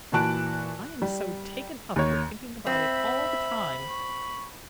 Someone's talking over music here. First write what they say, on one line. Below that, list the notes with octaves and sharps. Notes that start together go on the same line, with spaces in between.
I am so taken up with thinking about it all the time.
A#2 E3 F#4 A5 F#6 D7
G3
D#2 C#5
C4 E5 B5
C#6